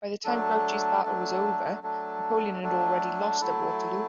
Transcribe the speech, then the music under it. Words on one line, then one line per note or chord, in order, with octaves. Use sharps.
By the time Grouchy's battle was over, Napoleon had already lost at Waterloo.
F#3 A3 D4 A4
F#3 A3 D4 A4
F#3 A3 D4 A4
F#3 A3 D4 A4
F#3 A3 E4 A4